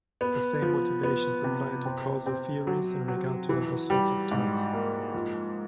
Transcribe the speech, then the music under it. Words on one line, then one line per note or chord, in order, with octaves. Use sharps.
The same motivations apply to causal theories in regard to other sorts of terms.
B3
F3
B3
C3
C4
C4
F#3
F#3
E3
G3
G#2
A#3
F3